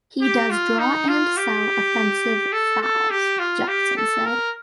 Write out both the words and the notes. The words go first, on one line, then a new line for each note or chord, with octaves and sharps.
He does draw and sell offensive fouls, Jackson said.
G4
F4
D#4
F4
G4
A4
A4
G4
F4
G4
A4
A#4